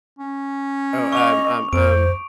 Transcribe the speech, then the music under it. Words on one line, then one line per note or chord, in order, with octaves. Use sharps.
Oh, um um um
C#4
D#5 C#6 D6 F7
F2 C5 D7